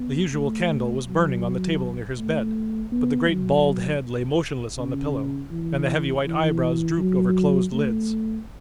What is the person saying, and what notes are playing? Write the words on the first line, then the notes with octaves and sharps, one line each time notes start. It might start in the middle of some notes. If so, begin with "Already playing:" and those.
The usual candle was burning on the table near his bed, but the great bald head lay motionless on the pillow, and the heavy white eyebrows drooped over closed lids.
Already playing: B3
A3
F#3
A3
B3
F#3
C#3
E3
E3
F#3
A3